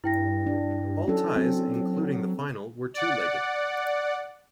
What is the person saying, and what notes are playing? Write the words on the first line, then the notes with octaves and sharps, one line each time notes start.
All ties, including the final, were two-legged.
G2 E4 G5 A#6
D4
F#3 C#4 A4
C4
D5 F#5